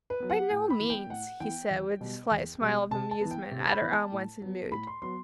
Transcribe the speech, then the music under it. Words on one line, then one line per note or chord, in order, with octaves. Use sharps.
"By no means," he said, with a slight smile of amusement at her unwonted mood.
B4
F#3 B3
F#5
A2 G5
B5
E3 B3
G5
A2 F#5
E3 B3 G5
E2
B2 G3
E2
B2 G3
C3 A5
A5
E3 B3
G5
C3
B5
E3 B3
A5
A2
F#3 B3
A2 B5
C6
F#3 B3 C6